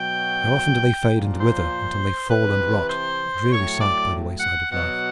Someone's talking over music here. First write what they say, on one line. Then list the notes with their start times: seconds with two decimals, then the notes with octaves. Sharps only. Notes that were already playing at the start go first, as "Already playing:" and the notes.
How often do they fade and wither until they fall and rot, a dreary sight, by the wayside of life!
Already playing: B2 F#3 G5
1.10 A#2 F3
1.40 C5
2.29 C3 E3 B4
2.89 C5
3.50 A2 F#3 C#5
3.79 D5
4.40 F#5
4.70 B2 F#3 F#5